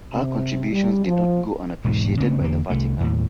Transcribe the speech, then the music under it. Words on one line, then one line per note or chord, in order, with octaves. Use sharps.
Her contributions did not go unappreciated by the Vatican.
C3
G3
F3
E1 G#2 B2
C#3 A3 B3 C4
E2 D3 A#3
C2 A3
D#2 A2